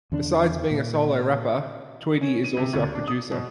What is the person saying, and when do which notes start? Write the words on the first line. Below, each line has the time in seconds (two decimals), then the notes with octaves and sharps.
Besides being a solo rapper, Tweedy is also a producer.
0.12 E2 D3 D4
0.71 A#2
2.21 C#4
2.44 D#7
2.57 C3
2.73 D2
2.95 D4
3.08 D#6
3.31 B2